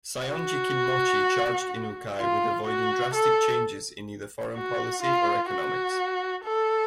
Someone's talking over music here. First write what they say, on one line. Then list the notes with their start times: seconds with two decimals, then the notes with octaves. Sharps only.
Saionji Kinmochi charged Inukai with avoiding drastic changes in either foreign policy or economics.
0.29 F#4
2.19 F4
2.67 F#4
3.14 A4
4.55 F#4
5.02 F4
5.50 F#4
6.45 A4